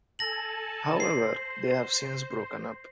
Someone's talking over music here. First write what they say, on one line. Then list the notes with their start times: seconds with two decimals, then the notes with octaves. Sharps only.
However, they have since broken up.
0.19 A4 G#5 A5 A#6 F#7
1.00 C5 C7